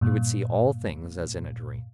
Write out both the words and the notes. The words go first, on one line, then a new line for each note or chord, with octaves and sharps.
He would see all things as in a dream.
G2 A#2